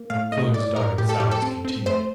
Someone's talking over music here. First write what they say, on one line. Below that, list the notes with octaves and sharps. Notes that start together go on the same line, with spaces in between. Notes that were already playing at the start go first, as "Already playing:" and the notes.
Kloon's dogged silence continued.
Already playing: A#3
A2 F5
A2 D#5
A2 D5
A2 A#4
A2 G4
A4
A2 G4
A4
C4
C4
A3 C5